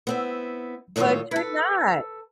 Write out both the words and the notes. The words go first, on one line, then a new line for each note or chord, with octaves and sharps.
But you're not.
B3 C4 E4
D#2 A2 D#3 F#3 F4 C#5
A4 B4